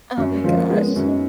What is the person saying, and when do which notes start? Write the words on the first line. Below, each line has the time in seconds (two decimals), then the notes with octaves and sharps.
Oh my gosh.
0.17 F#2 C#4
0.31 A#3
0.44 F3 G#3
0.56 A#3
0.70 G#3 B3
0.87 C#4
0.96 F#2
1.05 D#4